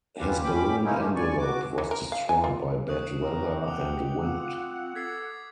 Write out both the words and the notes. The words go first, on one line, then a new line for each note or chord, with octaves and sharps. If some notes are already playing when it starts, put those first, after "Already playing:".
His balloon envelope was destroyed by bad-weather and wind.
D3 C#4 F4 G4 B4
A#2 C#4 G5 B5 D6
G#3 A#3 C#4 D#4 E4
G#3 A3 C#4 D#4 G4
D5 G#5 C#6
F#4 D6
E3
A#4
F5
G#5
F4
C#5 C#6 D#6 F#6
G4 A#4 A#5
F#5 G5 D6 F7
C4 F4 F#5
A4 G#6 B6 C7